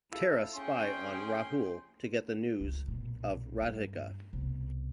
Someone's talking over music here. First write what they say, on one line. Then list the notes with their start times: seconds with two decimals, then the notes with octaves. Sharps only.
Tara spy on Rahul to get the news of Radhika.
0.12 E4 F4 A4
0.55 C#4 G#4 G5 C6
2.60 C#2
2.88 B1 A#2
3.61 G2
4.33 C2 B2